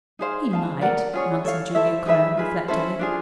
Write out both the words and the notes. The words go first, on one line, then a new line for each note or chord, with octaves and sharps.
"He might," answered Julia Cloud reflectively.
D#4 G#4 C5 F5
G#4 C5 F5 A5
A#4 D5 F#5 A#5
C#4 F4 G#4 C#5
A4 C#5 F5
E4 A4 C5 E5
D#4 G#4 B4 E5
F4 G#4 B4
C#4 E4 A4 C5
D4 F4 G#4